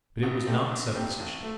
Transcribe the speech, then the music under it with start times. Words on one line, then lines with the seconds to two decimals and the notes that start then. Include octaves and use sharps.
But it was not supposition.
0.23 A#1
0.46 A#2 A3 C4 G4
0.71 A#1
0.94 A#2 A3 C4 G4
1.19 A1
1.43 A3